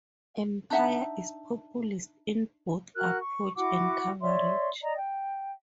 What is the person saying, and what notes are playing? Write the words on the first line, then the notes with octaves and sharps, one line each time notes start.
"Empire" is populist in both approach and coverage.
D4 D#4 E5 F#5
F#4 A#4 F6 F#6
C#6
E4 F#4 F#5 D6
C#5 D5 E5 C6
D5 D#5 A#5
G5